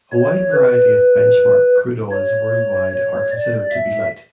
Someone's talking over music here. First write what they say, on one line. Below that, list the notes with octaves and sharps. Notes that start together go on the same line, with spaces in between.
A wide variety of benchmark crude oils worldwide are considered to be light.
C#5
B4
C#5
C#5
D5
E5